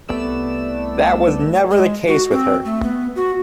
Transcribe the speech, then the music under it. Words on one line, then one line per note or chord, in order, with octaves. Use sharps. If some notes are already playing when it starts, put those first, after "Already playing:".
That was never the case with her.
C2 A3 B3 D5 E6 E7
G#3
F#4
C4
A3
B3
F#4